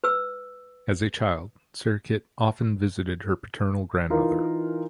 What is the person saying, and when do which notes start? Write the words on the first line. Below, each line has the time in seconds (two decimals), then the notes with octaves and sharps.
As a child, Sirikit often visited her paternal grandmother.
0.04 B4 E6
4.10 E3 D#4 F4 A#4